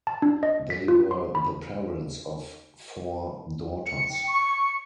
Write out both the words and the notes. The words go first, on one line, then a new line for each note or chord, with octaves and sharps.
They were the parents of four daughters.
A5
D4
D#5
B6
F4
C6
B5
C#7
G5
C#6